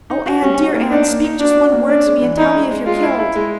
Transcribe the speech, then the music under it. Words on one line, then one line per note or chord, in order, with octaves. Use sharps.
"Oh, Anne, dear Anne, speak just one word to me and tell me if you're killed."
D#4
F#4
G3 C#4
F#4
A#3
D4 D#4
A#3
D#4
D4 F#4
F#4
A#3
C#4 D4
G#3
E3
D#4 E4
G#3
G#3
G#3 F4
E4
E4
G#3